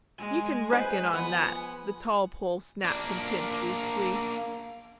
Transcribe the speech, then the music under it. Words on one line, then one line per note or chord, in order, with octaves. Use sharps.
"You can reckon on that," the tall Pole snapped contemptuously.
G#3 G#5
G#3 B4 C5
F3 B3
A#3 D4